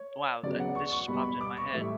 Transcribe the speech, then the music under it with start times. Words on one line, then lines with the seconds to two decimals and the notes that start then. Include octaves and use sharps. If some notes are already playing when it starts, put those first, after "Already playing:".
Wow. Uh, this just popped in my head.
Already playing: C#5
0.43 C#3 F#3 B3 D5
0.60 F#5
0.75 C#6
0.92 C#6
1.08 B2 G3 B3 B5
1.24 B5
1.41 D6
1.57 C#6
1.72 A2 E3 G3 E5